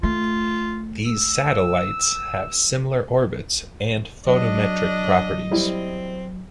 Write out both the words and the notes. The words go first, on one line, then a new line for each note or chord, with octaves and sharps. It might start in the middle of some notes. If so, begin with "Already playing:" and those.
These satellites have similar orbits and photometric properties.
A3 F4
E6
F#3 D4 D#5
G3 C4 E4